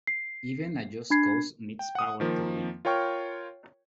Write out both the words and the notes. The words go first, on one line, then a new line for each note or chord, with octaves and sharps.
Even a just cause needs power to win.
C7
D4 B5 G#6 C7
G5
F#5 D#6
D#3 F3 A#3
F4 A#4 C#5 G5 C#6 F6